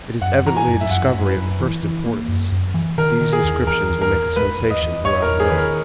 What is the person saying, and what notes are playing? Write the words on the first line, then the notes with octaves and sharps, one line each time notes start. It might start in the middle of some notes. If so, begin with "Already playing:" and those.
"It is evidently a discovery of the first importance. These inscriptions will make a sensation throughout Europe."
F#2 F#5
E3 A#5
G#5
F#2
E5
F#2 F#5
F#2
B4
F#2
E3
E3
A#3
F#2
F#2
E3
D#3 A#4
D#3
G#4
E2
E2 A#4
E2
A#4
E2
G#3 B4
E2
D#5
E2
E2 C#5
A#4
E2
G#4
D#3 B4
A#4